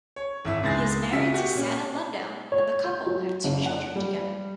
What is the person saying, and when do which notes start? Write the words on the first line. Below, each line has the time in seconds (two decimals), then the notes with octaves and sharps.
He is married to Sanna Lundell and the couple have two children together.
0.16 C#5
0.45 G#1 E4 E5
0.63 C#2 G#3 G#4 A6 A#6
1.12 C#3 F#4 E5 B6
1.34 F#4 G4
1.53 A#2 C#4
2.52 C#5
2.84 G6
3.06 F#3
3.44 F#1
3.66 F#5
3.96 G3